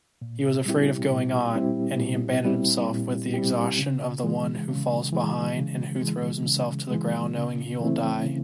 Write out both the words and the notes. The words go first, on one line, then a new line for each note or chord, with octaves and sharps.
He was afraid of going on, and he abandoned himself with the exhaustion of the one who falls behind and who throws himself to the ground knowing he will die.
A#2
G3 C4 E4 G4
A#2
G3 C4 E4 G4
A#2
G3 C4 E4 G4
A#2
G3 C4 E4 G4
C#3
E3 G#3
C#3
E3 G#3
C#3
E3 G#3
C#3
E3 G#3
C#3
E3 A3 C4 E4
C#3